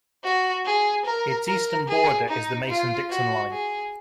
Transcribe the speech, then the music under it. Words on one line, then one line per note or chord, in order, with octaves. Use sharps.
Its eastern border is the Mason-Dixon line.
F#4
G#4
A#4
A#4
G#4
D#4
F4
F#4
G#4